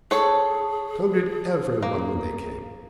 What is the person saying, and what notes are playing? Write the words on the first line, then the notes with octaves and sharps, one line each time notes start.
So did every one when they came.
G#4 A4 C#5
A#3